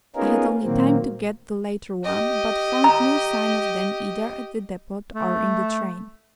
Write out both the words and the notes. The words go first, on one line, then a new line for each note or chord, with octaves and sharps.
I had only time to get the later one, but found no sign of them either at the depot or in the train.
B3 C#4 D#4 F4 G#4 A#4
A#2 D#3 F#3 A#3 C4
G4 D#5
A#5
A3